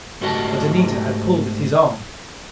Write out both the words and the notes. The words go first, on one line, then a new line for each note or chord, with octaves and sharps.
But Anita had pulled at his arm.
G#2 A3 F#4 G4 D#5 A5